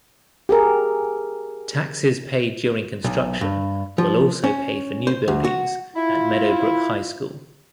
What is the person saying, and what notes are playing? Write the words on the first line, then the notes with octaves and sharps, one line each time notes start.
Taxes paid during construction will also pay for new buildings at Meadowbrook High School.
G4 G#4 A#4
B1
G2
F3
C#4
C5
D2
F#4
E4 F4